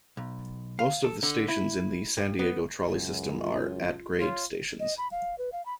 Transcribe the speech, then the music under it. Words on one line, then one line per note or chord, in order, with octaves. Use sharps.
Most of the stations in the San Diego Trolley system are 'at-grade' stations.
B1
F5
A4
D3
E4
G2
B3
C#2 F#2 F4
F4 C#5
D#5
B5
F5
B4
F5
B5